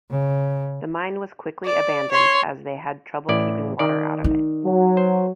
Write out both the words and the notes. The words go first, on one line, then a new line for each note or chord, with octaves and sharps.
The mine was quickly abandoned as they had trouble keeping water out of it.
C#3
D5
C#5 C6
A1 E4 D5
D#3 D5
D#4
F#3
C5